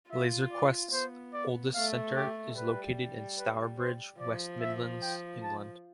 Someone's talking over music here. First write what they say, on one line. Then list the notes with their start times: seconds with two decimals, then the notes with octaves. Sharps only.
Laser Quest's oldest centre is located in Stourbridge, West Midlands, England.
0.11 F4 E5
0.52 D5
0.93 B3 C5
1.34 D5
1.75 A3 F5
2.16 G4
2.57 G3 B4
3.39 B4
3.79 C5
4.20 F3 D5
4.61 E5
5.02 G5
5.43 A5